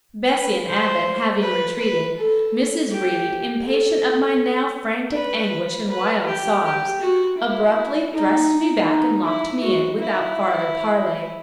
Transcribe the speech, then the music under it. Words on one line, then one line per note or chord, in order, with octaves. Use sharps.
Bessie and Abbot having retreated, Mrs. Reed, impatient of my now frantic anguish and wild sobs, abruptly thrust me back and locked me in, without farther parley.
B4
C5
B4
B4
A4
G4
A4
B4
B4
G4
G4
F#4
E4
D#4
D#4
E4
F#4
E4